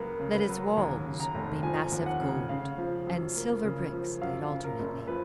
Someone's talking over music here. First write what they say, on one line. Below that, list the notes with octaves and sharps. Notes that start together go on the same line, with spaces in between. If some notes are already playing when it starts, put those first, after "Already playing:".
Let its walls be massive gold and silver bricks laid alternately.
Already playing: C#2 C#3 F#3 A#3 A#4 B4
C#3
B4
F#3
D#2 A#5
C#3
A#5
F1
F3 G#5
D#2
F#5
C#3
C#3 F5
F3
F#2
A#3
C#3
F3
F#2 F5
C#3
A#4
F#1
F3 B4